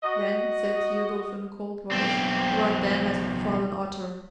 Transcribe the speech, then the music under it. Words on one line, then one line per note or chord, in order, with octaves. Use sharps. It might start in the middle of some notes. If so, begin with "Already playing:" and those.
Then said Thiodolf in a cold voice, "What then hath befallen Otter?"
F#4 D#5
B1 C4